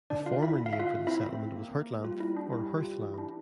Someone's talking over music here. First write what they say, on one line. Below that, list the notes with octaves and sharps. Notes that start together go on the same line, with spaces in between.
The former name for the settlement was "Hurtlanth" or "Hurthland".
D3 D4 D5
F4 F5
E4 E5
F5
E5
F4 F5
C4 E4 E5
A#3
G3 F4
E4
D4
E4
F4
E3 G4
E4
D4